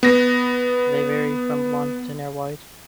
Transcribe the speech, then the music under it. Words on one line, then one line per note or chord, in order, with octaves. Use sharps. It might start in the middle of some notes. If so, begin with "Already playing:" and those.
They vary from blonde to near-white.
B3 A#6